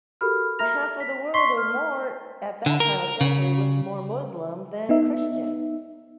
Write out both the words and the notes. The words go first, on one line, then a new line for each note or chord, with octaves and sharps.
Half of the world or more, at that time, especially, was more Muslim than Christian.
F#4 G4 A4 A#4 B5 F6
E5 A#5 F6 A#6 F7
B6
C6 C#6 B6 C7 G7
F6
D3
A#4
C#3
B3 D#4 E5